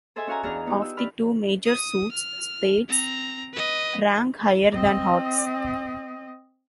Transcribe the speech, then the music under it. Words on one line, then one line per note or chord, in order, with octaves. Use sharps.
Of the two major suits, spades rank higher than hearts.
G#4 A4 C5 D#5 E5 G#5
C#4 F#4 C#5 F5 G#5 A#5
E2 D4 G#4 D#5 A#5 F6
B3 D#4 F4 G4
E6
D5 B5 F6
D#6
F6
C4 A#5
B4 D#5
C4 D#5